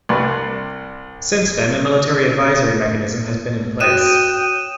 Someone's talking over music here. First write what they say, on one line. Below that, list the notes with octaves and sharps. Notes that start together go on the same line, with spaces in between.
Since then, a Military Advisory Mechanism has been in place.
C2 C3 D4 B4
F#4 C#5 G5 D#6 F#6 D#7 E7